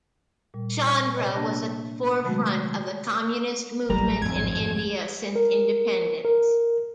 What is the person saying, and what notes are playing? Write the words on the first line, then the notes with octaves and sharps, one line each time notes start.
Chandra was at the forefront of the communist movement in India since independence.
A#2 G3
C3 C#5 D#5 G5
A#3 D4 A5 A#5 F#6 A#6
C3 D#3 F#3 G#3 A3 F#4
A1 F#3 G3 A#5
G#1 F2 G#6
A#4
A#4